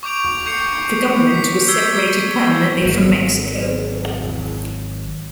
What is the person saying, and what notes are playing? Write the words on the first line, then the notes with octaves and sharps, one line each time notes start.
The government was separated permanently from Mexico.
C#6 D6 G6 D7 F7
C#6 G6 C7 C#7
B6
E6 G6 G#6 C7 G7
G#1 F#3